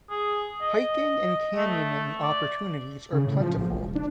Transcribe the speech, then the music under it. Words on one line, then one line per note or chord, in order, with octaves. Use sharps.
Hiking and canyoning opportunities are plentiful.
G#4
D#5
A3
D5
C#3
A2
F3
A#1
E1
D4